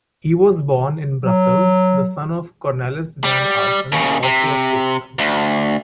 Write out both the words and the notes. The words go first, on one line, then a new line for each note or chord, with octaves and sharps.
He was born in Brussels, the son of Cornelis van Aarsens, also a statesman.
F#3
G3
D#2 C#3
C3
D2